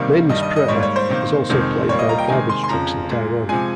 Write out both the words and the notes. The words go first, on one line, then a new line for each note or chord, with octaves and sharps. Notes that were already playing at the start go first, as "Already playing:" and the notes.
"Maiden's Prayer" is also played by garbage trucks in Taiwan.
Already playing: C3 D#3 G3 A#3
G2 D#3 G3 D#5
D#5
D#5
G#2 G3 A#3 C#5
C#5
C5
C3 D#3 A#3
F2 C3 D#3 G#3
A#2 G3 A#3 C#5
D#5
A#5
G5
C3 D#3 G#3 G#5
C6
C6
F2 C#3 F3 A#5
A#2 G#3
C3 F3 G#3 G#5